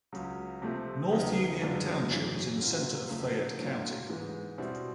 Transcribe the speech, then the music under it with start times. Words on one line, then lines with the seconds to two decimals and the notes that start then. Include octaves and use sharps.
North Union Township is in the center of Fayette County.
0.13 C#2 C#3 F#3
0.62 C3 F3 A3 C4
1.11 D#2 C#3 F#3 B3 D#4
1.61 F#2 D3 F3 G#3 B3
2.10 F#2 C#3 E3
2.60 A#2 F#3 A#3 C#4 F4
3.10 F2 C#3 F#3 A3
3.59 A2 F#3 A#3 D4 F4
4.09 G#2 E3 G#3 B3
4.58 B2 G3 C4 E4